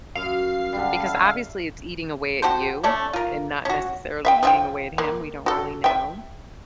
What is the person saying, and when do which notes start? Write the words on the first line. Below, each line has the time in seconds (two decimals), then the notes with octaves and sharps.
because obviously, it's eating away at you and not necessarily eating away at him. We don't really know.
0.15 F#2 F5
0.73 D3 G3
1.04 E5
2.42 F#4 G4 A4 C5
2.84 A3 C#4 A4 D5
3.13 F4 A#4
3.65 C#4 F#4
4.25 E5 F5 G5
4.43 F3 E5 G5
4.98 A#3
5.46 F#4 A4
5.84 E5 G5